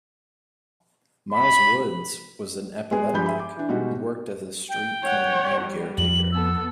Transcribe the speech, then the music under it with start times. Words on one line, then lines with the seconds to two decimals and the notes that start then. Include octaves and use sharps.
Miles Woods was an epileptic who worked as a street cleaner and caretaker.
1.33 B5
2.91 G#3 B3 G#4
3.13 G2 F3 G4 G#5 B5 G6
3.26 G#4 E5 B5
3.40 D6
3.57 E3 D4
3.69 B2 G3 G#3 D#4 F#4
4.69 G5
5.02 C#5 F#5
5.61 G3
5.98 F2 F#7
6.32 B3 A4 E6